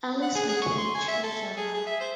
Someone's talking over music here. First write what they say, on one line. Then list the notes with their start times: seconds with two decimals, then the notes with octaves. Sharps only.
Allis became Treasurer.
0.22 F#5
0.35 G#4
0.49 G#4
0.62 C#6
0.78 C6
0.94 G#5
1.08 E5
1.23 A4
1.57 G#4
1.74 G#4
1.87 E5
2.01 C5